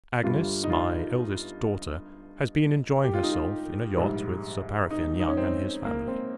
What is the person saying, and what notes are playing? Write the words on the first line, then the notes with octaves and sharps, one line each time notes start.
Agnes, my eldest daughter, has been enjoying herself in a yacht, with 'Sir Paraffine' Young and his family.
G1 G2 G3 F4
D#4
F4
G4
F4
D#4
F4
A#1 G#2 G3
D#4
D#4
C#4
C4
A#3
C4